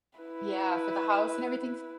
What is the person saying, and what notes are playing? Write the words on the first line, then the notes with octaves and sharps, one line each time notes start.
yeah, for the house and everything.
E4 B4